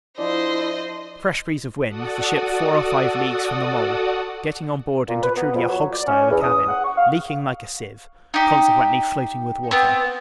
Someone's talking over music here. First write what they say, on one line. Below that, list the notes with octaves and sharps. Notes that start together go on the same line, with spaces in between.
Fresh breeze of wind, the ship four or five leagues from the mole; getting on board into truly a hog-stye of a cabin, leaking like a sieve, consequently floating with water.
F3 D4 E4 C5 D#5
F#4 A4 D5 F#5 D#6
A#2
B4
B3
F2
F#3
D5
C#4
E2
D#6
F#5
C#6
F5
D#4 G4
B3 C4